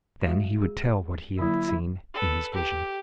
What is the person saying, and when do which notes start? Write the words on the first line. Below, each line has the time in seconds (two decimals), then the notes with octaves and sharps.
Then he would tell what he had seen in his vision.
0.24 G#3 F#4 F5
0.62 G#4
1.39 D3 F#3 A#3 E4
2.14 A4 B4
2.54 G4